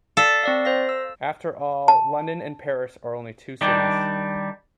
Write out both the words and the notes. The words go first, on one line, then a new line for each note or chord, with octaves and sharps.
After all London and Paris are only two cities.
A4 D5 F5 B6
C4 D5 F5
C5 F5 A#6
E6
A5
D#3 G3 D4